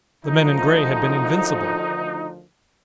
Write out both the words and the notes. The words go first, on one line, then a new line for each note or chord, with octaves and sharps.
The men in gray had been invincible.
D2 D#3 F3 D#4